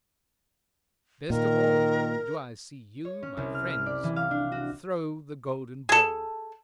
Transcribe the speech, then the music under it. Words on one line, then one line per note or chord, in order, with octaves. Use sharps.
Best of all, do I see you, my friends, throw the golden ball!
A#2 D#3 A#4
C#5
C#4
C2
F6
F6
D5
E3
F5
D4
F#4
G#4 A4